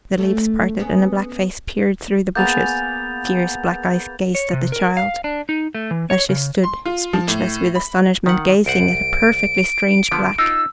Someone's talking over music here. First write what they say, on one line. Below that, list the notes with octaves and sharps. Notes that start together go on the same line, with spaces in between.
The leaves parted and a black face peered through the bushes, fierce black eyes gazed at the child, as she stood speechless with astonishment, gazing at a perfectly strange Black.
A3 C#4
B3 C#4 G#4
A#3 B3 G#4 G6 A6 F7
C#5
C3
A#4
F5
D4
D#4
A3
E3
C#5
C#3
C6
F4
F3
A2
B5
D#3 F#5
C2 C5 F#5 D7
D3 F3 B3
D#4 F4 E6